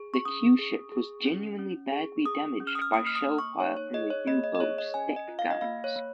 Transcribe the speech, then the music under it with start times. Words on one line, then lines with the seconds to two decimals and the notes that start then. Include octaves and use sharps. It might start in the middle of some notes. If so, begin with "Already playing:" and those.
The Q-ship was genuinely badly damaged by shellfire from the U-boat's deck guns.
Already playing: G#4
0.14 C#6
0.25 C#4 D#6
0.59 G#4
0.92 G#4
1.25 C#4
1.59 C#4
1.92 G#4
2.26 G#4 D#6
2.60 C#4
2.67 F6
2.75 D#6
2.82 F6
2.93 A#3 D#6
3.07 F6
3.15 D#6
3.26 A#3
3.38 C#6
3.60 D#4 C#5
3.77 C#5
3.93 G#4 D#5
4.10 C#5
4.27 A#3 D#5
4.44 D#5
4.55 D#5
4.60 G#4 C#5
4.78 D#5
4.94 C#4 G#5
5.16 D#5
5.28 F4
5.39 F5
5.51 D#5
5.61 A#3 F5
5.84 C#5
5.96 A#3